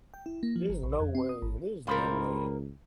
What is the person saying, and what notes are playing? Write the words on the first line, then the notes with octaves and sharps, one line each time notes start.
There's no way, there's no way.
G5
E4
A#3
F3
G1
A#1
F2
C4
D#6
G#1
C#2 G3 A#3 C4 A#4 B5 C6